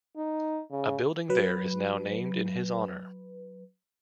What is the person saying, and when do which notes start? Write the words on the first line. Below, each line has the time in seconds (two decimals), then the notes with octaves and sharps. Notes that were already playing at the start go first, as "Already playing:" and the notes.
A building there is now named in his honor.
0.17 D#4
0.71 C#3
1.29 F#3 B4